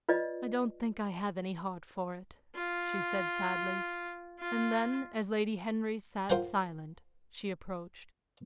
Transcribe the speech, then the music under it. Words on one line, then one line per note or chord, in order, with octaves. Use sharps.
"I don't think I have any heart for it," she said, sadly; and then, as Lady Henry sat silent, she approached.
F4 B4 D5 D#5
F4
F4
F4 A#4 C5 F#5 G5 A#5